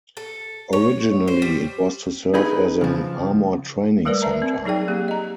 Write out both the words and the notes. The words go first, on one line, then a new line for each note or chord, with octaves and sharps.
Originally it was to serve as an armor training center.
A4
C#5
C5
G3
D#4 G#4 B4
C#3 F3
G3 A3 A#4 B4 D5
E5 A5 A#5
C4
F#3 D#4 G#4 D5 G5
A#3 G4
D#5 A#5